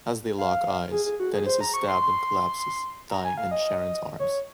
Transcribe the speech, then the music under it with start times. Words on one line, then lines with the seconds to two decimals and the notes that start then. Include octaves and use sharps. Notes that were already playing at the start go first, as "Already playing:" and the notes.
As they lock eyes, Dennis is stabbed and collapses, dying in Sharon's arms.
0.38 F5
0.92 G#4
1.05 G#4
1.20 F#4
1.33 G#4
1.46 C5
1.61 A#5
1.74 C#6
1.88 C6
2.01 C6
3.11 A#5
3.25 G#5
3.37 F5
3.51 D#5
4.19 C#5